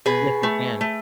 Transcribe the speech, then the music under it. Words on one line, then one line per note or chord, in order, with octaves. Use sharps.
Yes they can.
B2 G#4 B4
A3
A3